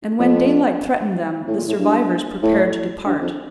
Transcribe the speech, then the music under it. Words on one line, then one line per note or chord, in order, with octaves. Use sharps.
And when daylight threatened them the survivors prepared to depart.
F2
A2
A#2
A2
G2
A2
G2
F2